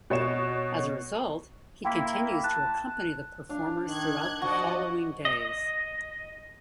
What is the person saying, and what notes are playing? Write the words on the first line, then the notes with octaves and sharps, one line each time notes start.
As a result, he continues to accompany the performers throughout the following days.
B2 C#5 D#5 E7
A#3 E4 G5 C6 B6
A5 F#6
D4 F5
D#3 F#6 G#6
F3 F#4 D5 D#5 F#5
D#5